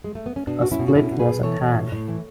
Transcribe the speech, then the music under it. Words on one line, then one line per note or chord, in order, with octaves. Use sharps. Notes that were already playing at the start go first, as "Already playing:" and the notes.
A split was at hand.
G#3
A3
B3
C#4
B2 B3 D4
B2 F#4
C#4 E4
B2
F#4
B2 C#4 E4
B2
G#4 B4
B2
E3 A4 C#5
E3
A2
A2
E3